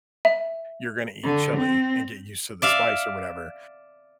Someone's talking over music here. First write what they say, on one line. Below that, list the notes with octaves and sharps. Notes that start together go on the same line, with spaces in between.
you're gonna eat chili and get used to the spice or whatever.
E5
D3
C4
D5 E5 F5